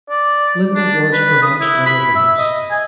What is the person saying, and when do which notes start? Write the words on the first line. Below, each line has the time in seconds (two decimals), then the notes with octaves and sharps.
Linda was, perhaps, one of those.
0.10 D5
0.75 D4
1.13 B4
1.42 D#6
1.61 E4
1.86 B5
2.16 E5
2.38 D#5
2.71 G#5